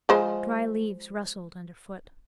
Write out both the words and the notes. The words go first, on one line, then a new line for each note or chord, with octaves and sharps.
Dry leaves rustled under foot.
F3 G#3 C5